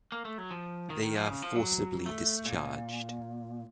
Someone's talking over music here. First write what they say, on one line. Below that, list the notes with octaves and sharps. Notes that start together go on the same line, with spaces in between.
They are forcibly discharged.
A#3
A3
F#3
F3
D#3
D#3
F3
C#3
F3
F#3
A3
A#2